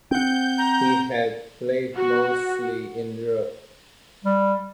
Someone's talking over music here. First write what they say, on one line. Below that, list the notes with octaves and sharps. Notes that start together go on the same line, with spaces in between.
He has played mostly in Europe.
C4 F#5 G5 G6
A#5
F#4
G3